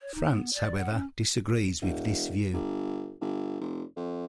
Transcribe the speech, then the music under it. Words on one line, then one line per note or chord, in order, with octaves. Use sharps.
France, however, disagrees with this view.
C#5
D#4
B3
D5
F#5
C#4
E1
G1
G1
F1
F2